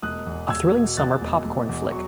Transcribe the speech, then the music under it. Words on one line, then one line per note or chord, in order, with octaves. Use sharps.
A thrilling summer popcorn flick.
E1 D#6 F#6
E2
E1 E6 G#6
B2
E2 F#6 A6
E1
E1
E2
F#3 C#6